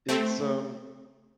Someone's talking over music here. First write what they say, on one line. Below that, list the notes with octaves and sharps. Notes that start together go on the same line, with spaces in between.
it's, um,
A3 C4